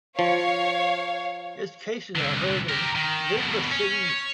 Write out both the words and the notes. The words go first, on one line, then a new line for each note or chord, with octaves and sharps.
Its cases are heard in Elizabeth City.
F3 C#5 F5
C2 D3
G4 A#4
D#3
F2 B2
C#4
C#5